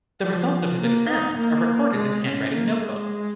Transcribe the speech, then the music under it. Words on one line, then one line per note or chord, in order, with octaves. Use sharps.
The results of his experiments are recorded in handwriting notebooks.
F3
A#3
D#4
A#3
G#3
C#4
A#3
G#3